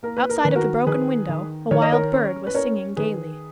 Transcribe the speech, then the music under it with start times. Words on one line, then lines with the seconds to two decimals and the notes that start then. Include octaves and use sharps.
Outside of the broken window a wild bird was singing gayly.
0.03 A#3 A#4
0.17 B4
0.29 A#4
0.43 D#3 B4
0.55 F#4 A#4
0.87 D#3 G#4 B4
1.29 D#3
1.71 D#3 C#5
1.82 D#5
1.92 A#4 C#5
2.13 C#4
2.47 B4
2.54 C#4 A#4 C#5
2.97 D#3 G#4 B4